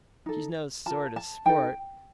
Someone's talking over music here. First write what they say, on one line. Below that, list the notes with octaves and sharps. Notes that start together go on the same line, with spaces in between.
She's no sort of sport.
D#4 A4
F4 A#4 A5
A5
D#4 A4 G5